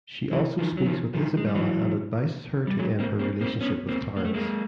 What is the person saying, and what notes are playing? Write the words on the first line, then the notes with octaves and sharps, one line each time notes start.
She also speaks with Isabella and advises her to end her relationship with Clarence.
E3 F#3
D#3 F3
F#3
D#3 F3
D#3 F3
G#3
G3
E3 F#3
G3
F#3 G#3
A#3 C4
A#3 C4
A#3 C4
B3 C#4
A#3 C4
A#3
A3
G#3 A#3